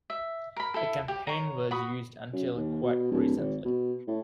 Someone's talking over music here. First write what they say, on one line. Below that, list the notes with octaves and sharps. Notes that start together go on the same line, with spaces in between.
The campaign was used until quite recently.
E5
A#4 B5
E4 A4
G4
C#5 A#5
F#4 B5 D#6
F#2
D#2
B2
D1
G#1
B2
A2